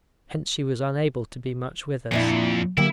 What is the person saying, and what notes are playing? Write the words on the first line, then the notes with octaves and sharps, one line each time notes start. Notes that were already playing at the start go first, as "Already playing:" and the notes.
Hence she was unable to be much with us.
F2 A#2 D4 E4
D3 F#3 A#3 E4 G4